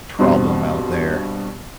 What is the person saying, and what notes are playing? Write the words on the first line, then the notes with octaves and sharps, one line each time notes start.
problem out there.
G2 B2 C4 C6